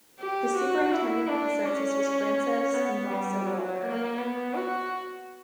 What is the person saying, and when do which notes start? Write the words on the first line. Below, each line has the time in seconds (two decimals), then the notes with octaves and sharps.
The Superintendent of the Census was Francis Amasa Walker.
0.20 G4
0.56 F#4
0.92 E4
1.29 D4
1.65 C#4
2.74 B3
3.10 G3
3.46 F#3
3.82 A#3
4.18 B3
4.55 F#4